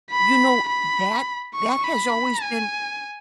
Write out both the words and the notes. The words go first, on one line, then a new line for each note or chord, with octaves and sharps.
You know, that that has always been
B5
B5
C#6
B5
G#5